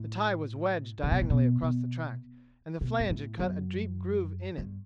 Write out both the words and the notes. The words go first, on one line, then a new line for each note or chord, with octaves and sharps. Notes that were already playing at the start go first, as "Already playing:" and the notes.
The tie was wedged diagonally across the track, and the flange had cut a deep groove in it.
Already playing: A2
C3
B2
A2
B2
B2
B2
G2
A2
F#2
G2